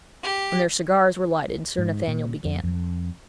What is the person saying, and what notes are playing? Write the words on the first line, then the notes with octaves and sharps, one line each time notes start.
When their cigars were lighted, Sir Nathaniel began.
G4
G#2
A#2
F2
F2